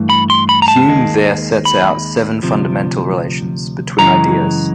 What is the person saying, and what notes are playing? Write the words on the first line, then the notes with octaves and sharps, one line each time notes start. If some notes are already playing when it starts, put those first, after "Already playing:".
Hume there sets out seven fundamental relations between ideas.
Already playing: G2 E3 A3
B5
C6
B5
A#5
A5
D#2 D#3 G#3
B5
D2 C3 F3
F#2 C#3 E3 G#3 A#5